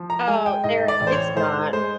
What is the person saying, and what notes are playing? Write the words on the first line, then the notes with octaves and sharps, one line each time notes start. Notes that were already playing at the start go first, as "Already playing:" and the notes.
Oh, there it's not.
Already playing: F3
A#5
G#3 G#5
G5
G#2 D#5
D5
A1
C5
C#5
G#2 C5
G#3 C5